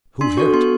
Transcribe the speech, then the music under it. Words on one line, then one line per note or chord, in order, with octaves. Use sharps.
"Who's hurt?"
D4 C6
F#4 A4 C#6
B3 C6